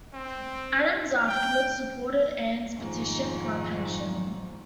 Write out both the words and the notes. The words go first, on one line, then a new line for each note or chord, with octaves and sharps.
Adams afterward supported Anne's petition for a pension.
C4
G5
F2 G#2 D#3